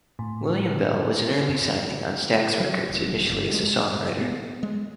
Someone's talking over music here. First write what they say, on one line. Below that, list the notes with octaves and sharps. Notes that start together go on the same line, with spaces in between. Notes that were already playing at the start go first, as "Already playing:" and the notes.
William Bell was an early signing on Stax Records initially as a songwriter.
A2
F#3
D#1
G1
G#3
B3
G#3